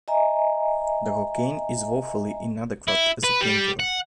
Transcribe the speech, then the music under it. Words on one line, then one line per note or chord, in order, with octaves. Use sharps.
The cocaine is woefully inadequate as a pain killer.
D#5 E5 G#5 A#5
E4
B4
G3
F#5